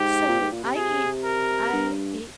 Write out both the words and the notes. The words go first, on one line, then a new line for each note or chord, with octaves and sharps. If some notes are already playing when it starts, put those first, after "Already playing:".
So, I eat I eat
Already playing: G#2 G4
A#2
G#2
A#2
C3
G#4
A#4
G2